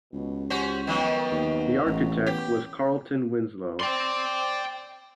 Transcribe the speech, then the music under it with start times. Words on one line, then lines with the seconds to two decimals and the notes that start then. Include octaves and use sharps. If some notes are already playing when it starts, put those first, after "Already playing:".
The architect was Carleton Winslow.
0.13 C#2 B2
0.50 C#4 F#4 G4 C5
0.87 D#3 F3 F#3 B3
1.31 D#2
1.86 A1
2.26 B3 G4
3.80 D5 G5 C6